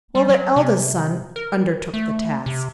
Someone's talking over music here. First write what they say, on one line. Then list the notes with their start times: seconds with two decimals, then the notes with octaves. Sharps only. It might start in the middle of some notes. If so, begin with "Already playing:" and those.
Well, the eldest son undertook the task.
0.15 G3
0.29 F#3
0.56 C3
1.36 A#4
1.94 A3
2.46 C3